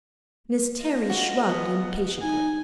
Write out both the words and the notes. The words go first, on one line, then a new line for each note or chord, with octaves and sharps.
Miss Terry shrugged impatiently.
F4 D#5
F#4
B3
D#4 G#5